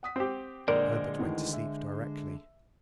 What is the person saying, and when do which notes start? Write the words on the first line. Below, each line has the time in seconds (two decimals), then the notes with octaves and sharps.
Herbert went to sleep directly.
0.03 F#5 D#6 B6
0.16 C4 G4
0.68 A#1 D3 G#3 A#4 C5 D5
1.19 D2 D#3 E3
1.53 E5